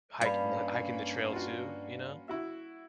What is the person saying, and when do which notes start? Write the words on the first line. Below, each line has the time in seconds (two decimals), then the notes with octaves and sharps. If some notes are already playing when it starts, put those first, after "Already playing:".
hiking tha hiking the trail too, you know,
0.21 G2 A#3 C#4 F5 B5
1.33 F4 F#4
2.28 E4 F#4 E5